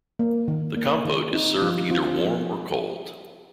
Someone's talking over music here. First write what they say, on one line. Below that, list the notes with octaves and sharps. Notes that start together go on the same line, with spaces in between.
The compote is served either warm or cold.
A#3
D#3
A#3
D#3
C4 D#4
F3 F4
C4 F4
F3